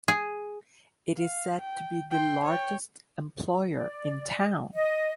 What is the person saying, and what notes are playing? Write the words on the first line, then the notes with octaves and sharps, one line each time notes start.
It is said to be the largest employer in town.
G#4
F5
G5
G5 C6
C#5 G5
D5
D#5